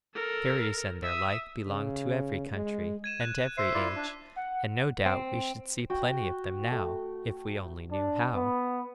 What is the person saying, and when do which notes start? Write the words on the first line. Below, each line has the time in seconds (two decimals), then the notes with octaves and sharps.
Fairies and their like belong to every country and every age, and no doubt we should see plenty of them now--if we only knew how.
0.15 A4 A#4
1.02 E5 D#6
1.67 C#3
2.54 G#3
3.04 G#6 D#7 E7
3.21 F#6
3.58 C5 E5 E6 B6 C7
3.74 E4 F4 D5
3.96 D4
4.36 F#5
5.06 C4
5.90 F#4 F#5 G5
6.72 A3
7.92 D4
8.35 B3